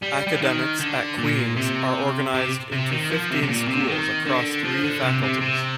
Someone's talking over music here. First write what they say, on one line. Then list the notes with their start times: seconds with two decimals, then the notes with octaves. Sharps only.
Academics at Queen's are organised into fifteen schools across three faculties.
0.03 G3
0.27 G3
0.34 F3
0.42 D#3
0.80 D3
1.18 A#2
1.57 C3
2.34 C3
2.72 C3
2.91 D#3
3.11 F3
3.30 C3
3.42 C3
3.49 A#2
3.68 C3
3.88 D#3
4.27 D3
4.65 F3
4.84 D3
5.03 C3
5.22 C3
5.41 C3